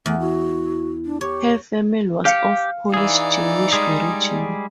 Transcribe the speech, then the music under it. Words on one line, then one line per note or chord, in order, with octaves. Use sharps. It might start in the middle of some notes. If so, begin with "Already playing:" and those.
Her family was of Polish Jewish origin.
E2 A3
E4 F#4
D4
G4 C#5
G4 F5 C7 C#7
E3 D#4 G#4 D5
G3 G#3 G#4